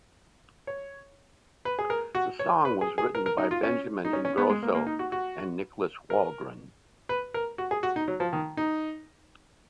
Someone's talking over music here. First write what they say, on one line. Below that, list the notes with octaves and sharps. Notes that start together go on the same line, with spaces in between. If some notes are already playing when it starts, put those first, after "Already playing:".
The song was written by Benjamin Ingrosso and Niklas Wahlgren.
C#5
B4
G#4
A#4
F#4
C#5
B4
G#4
G#4
A#4
A#4
D#4
F4
C#4
D#4
C#4
C#4
B3
G#3
A#3
A#3
D#4
F#4
F#4
A#4
B4
A#4
F#4
G#4
F#4
D#4
F#3
F3
D#3
D#4